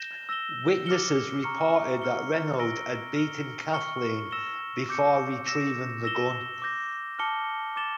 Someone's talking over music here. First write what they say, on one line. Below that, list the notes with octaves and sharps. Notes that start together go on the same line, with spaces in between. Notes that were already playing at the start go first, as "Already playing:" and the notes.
Witnesses reported that Reynolds had beaten Kathleen before retrieving the gun.
Already playing: G6 A#6 E7 G7
E6 A#6 E7 G7
D6 F6 C#7 G7
A#5 C#6 F6 C#7
F6 C#7 G7
E6 A#6 D7 G7
F6 C#7 G7
C#6 F6 C#7 G7
E6 A#6 E7 G7
D6 G6 C#7
E6 A#6 E7
E6 A#6 E7 G7
D6 G6 A#6
A5 D6 F6 C#7 G7
D6 A6 E7 G7